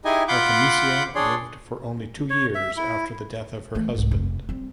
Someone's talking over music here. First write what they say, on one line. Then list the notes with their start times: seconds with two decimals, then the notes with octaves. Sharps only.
Artemisia lived for only two years after the death of her husband.
0.05 D#4 E4 G4 G#4 D#5 G#5
0.28 F4 F#5 B5 C6 D6 G6
1.15 D4 G#4 C#5 D5 C6
2.30 C#5
2.55 E5
2.77 E4
3.75 E3 A3
3.94 C2 G#2
4.11 F1
4.49 G3 C4